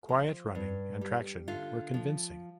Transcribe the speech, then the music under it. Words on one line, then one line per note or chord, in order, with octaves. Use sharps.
Quiet running and traction were convincing.
F3
G2
G3
D3 F4
F3